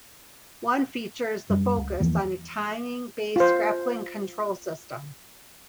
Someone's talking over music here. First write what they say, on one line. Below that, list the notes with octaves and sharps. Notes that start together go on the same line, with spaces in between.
One feature is the focus on a timing-based grappling control system.
F#2 G3
C#2
E2 E3 F3 A#3
F4 C5